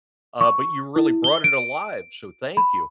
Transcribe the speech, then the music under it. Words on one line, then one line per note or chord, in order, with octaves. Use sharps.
uh, but you really brought it alive, so thank you.
C#6
E4
G7
D7
B5